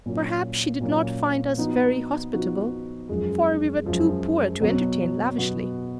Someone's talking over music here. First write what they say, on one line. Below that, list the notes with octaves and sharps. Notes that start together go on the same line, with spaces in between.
Perhaps she did not find us very hospitable, for we were too poor to entertain lavishly.
A#2 F#3 A#3 C#4
A#2 F#3 A#3 C#4
F3 B3 D#4 F#4
F3 B3 D#4 F#4
F#2 F3 G#3
F#2 F3 G#3
B2 F#3 B3 F#4
B2 F#3 B3 F#4